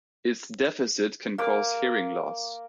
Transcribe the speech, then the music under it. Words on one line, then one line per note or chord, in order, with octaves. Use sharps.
Its deficit can cause hearing loss.
A#3 D6